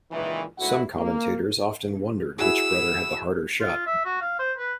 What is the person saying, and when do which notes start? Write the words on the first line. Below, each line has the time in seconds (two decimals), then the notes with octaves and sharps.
Some commentators often wondered which brother had the harder shot.
0.11 C#2 A#2 D#3 E3
0.58 D2 G#2 D3 E4 F#4 F#5
0.97 A#3
2.39 E4 F#4 G#4 E6
3.60 F4
3.87 E5
4.05 F#4
4.21 F5
4.39 C5
4.58 B4